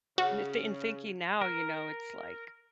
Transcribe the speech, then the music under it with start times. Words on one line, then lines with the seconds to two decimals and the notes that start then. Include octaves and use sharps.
N th in thinking now, you know, it's, like
0.18 C#3 F#4
1.41 A#4